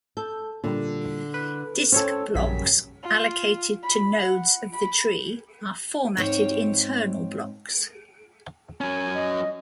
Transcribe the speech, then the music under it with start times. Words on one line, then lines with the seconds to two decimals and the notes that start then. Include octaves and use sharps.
Disk blocks allocated to nodes of the tree are "formatted internal blocks".
0.17 A4 G6
0.64 A#2 D3 G3
1.34 B4
1.92 C4 C#4 A4 C#5
2.35 A#1 F#2 C#3 G3 B6
3.03 F4
3.83 B5
4.17 F#5
4.73 B5
6.17 G#2 C4 C#5
8.81 F#3 C#4 G#5
9.14 D#5